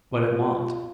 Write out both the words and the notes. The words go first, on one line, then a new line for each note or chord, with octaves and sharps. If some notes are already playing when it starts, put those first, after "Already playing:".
But it want.
F4